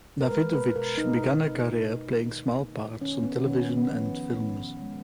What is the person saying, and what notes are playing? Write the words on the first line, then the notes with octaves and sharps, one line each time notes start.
Davidovich began her career playing small parts on television and films.
A#4
G#3 B4
B4
B2 A#4
D#4
B2
G#3
D#3
A#3
D#3 C#4
B3
D#3 C#4
B3
F3 B3
A#2
G#3